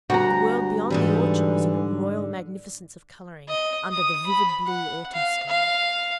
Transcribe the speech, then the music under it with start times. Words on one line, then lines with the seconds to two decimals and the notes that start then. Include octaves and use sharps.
The world beyond the orchard was in a royal magnificence of colouring, under the vivid blue autumn sky.
0.10 D2 G2 F#4 A#5
0.90 G#2 D3 E3 G3
3.48 D#5
3.92 D#6
4.26 B5
4.66 F#5
5.13 F5
5.49 F5